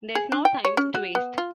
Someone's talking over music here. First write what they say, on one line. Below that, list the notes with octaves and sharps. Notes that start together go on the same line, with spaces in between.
There's no time to waste.
G#4
D4
G5
C#5
C#4
F#4
B3
F4